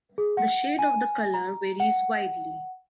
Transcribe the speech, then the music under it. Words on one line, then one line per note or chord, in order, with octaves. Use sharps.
The shade of the color varies widely.
G#4
F#5
G#5
A#5
F#5